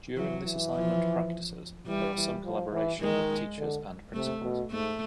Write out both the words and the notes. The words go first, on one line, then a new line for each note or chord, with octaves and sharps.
During this assignment practices, there are some collaboration with teachers and principals.
E3 F#3
E3
F3
E3 G3
E3
F3
E3
D#3 G#3
D3
C3 A3
B2
G#2 A3